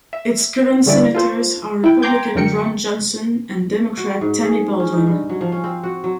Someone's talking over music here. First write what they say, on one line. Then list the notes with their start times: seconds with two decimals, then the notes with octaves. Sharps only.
Its current senators are Republican Ron Johnson and Democrat Tammy Baldwin.
0.13 E5
0.86 D3 G3 A#3 C#4 E4 D5
1.15 F4 A4 C5
1.84 E4 G5
2.02 G5 A#5 C6 D6 G6 G#6
2.35 F#2 D3 F#3 A#4 G5 C#7
3.97 F#4
4.21 G#2
4.44 G#4
4.80 C#4
4.92 D#4
5.07 G2
5.29 F#3
5.41 F3
5.52 C#4
5.64 C4
5.83 F#4
6.04 F#3